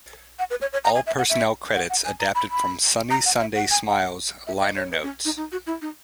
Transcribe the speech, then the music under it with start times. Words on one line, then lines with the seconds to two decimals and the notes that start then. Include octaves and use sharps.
All personnel credits adapted from "Sunny Sundae Smile"s liner notes.
0.39 F#5
0.50 B4
0.61 C#5
0.73 C#5
0.84 A#5
0.95 G#5
1.07 E5
1.18 F#5
1.30 E5
1.75 F#5
1.90 F#5
2.05 G#5
2.20 A#5
2.35 B5
2.50 B5
3.10 A#5
3.26 F#5
3.40 E5
3.55 F#5
3.71 G#5
3.87 F#5
4.47 E5
4.61 D#5
4.76 C#5
4.92 B4
5.03 C#4
5.25 D#4
5.37 D#4
5.52 F#4
5.67 E4
5.82 D#4